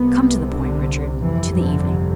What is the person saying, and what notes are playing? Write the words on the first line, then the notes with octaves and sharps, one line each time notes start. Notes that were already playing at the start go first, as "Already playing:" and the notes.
"Come to the point, Richard--to the evening."
Already playing: C2 C3 B3
D3
G1 F2 C3 E3
D3